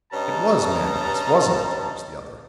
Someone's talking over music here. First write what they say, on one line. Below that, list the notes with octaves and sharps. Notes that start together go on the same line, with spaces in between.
"It was Manlius, wasn't it?" urged the other.
G2 C#4 D#5 A5 A#5